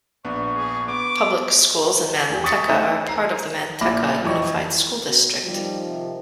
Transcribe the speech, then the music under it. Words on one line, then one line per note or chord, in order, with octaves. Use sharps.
Public schools in Manteca are part of the Manteca Unified School District.
A#1 B3 D4 C#6
G#4
B3 D6
E2 G4
C#6 D#6 A6 B6 C#7
A3 D#4 A4 C5 C#5 D#5
A#5 C7
A#1 A#2 E4 B5 D6 A#6
E1 F2 E3 D#5 C#6
B2
D#3 F3 G3
C3